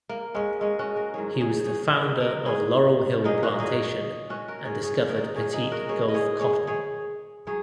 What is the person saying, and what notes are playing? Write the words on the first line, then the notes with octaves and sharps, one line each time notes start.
He was the founder of Laurel Hill Plantation and discovered Petit Gulf cotton.
A#3
G#3 C#4
G#3 C#4
C#4 F#4
F#4 A#4
G#2 D#3 F#3 G#4 C#5
G#4 C#5
G#4 C#5
A#4 D#5
A#4 D#5
G#4 C#5
A#2 F#3 D#4 G#4
C#4 F#4
D#4 G#4
C#4 F#4
F#4 A#4
G#4 C#5
G#4 C#5
A#4 D#5
A#2 F#3 G#4 C#5
D#4 G#4
F#4 A#4
G#4 C#5
D#5
G#4 C#5
G#4 C#5
G#4 C#5
F#3 G#4 C#5